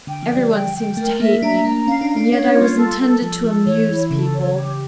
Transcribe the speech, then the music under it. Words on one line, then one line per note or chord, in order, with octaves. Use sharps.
"Everyone seems to hate me, and yet I was intended to amuse people."
D3 G5
F3
D5
G3
G5
G5
A3 A#4
A#3 E5
D4 A#5
A#3 A#5
C#4 F5
D4
F5
D4
C#4 C#5
A#3
F4
G3
A4
A4
F3 A4
F3 A4
E3 C#5
E3 E4
C#3 A4
C#5
G4